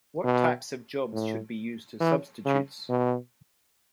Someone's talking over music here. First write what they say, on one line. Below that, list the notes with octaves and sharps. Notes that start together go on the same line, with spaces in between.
What types of jobs should be used as substitutes?
B2
A2
E3
C#3
B2